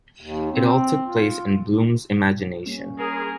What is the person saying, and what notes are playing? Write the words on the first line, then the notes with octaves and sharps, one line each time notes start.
It all took place in Bloom's imagination'.
D#2
C4
F4
G3 A#3 C#4
G#4 A#4